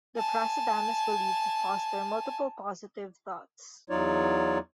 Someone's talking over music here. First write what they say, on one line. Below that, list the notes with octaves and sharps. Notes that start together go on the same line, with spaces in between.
The prasadam is believed to foster multiple positive thoughts.
G#5 A5
E2 F#3 D#4 F4 C#5 D5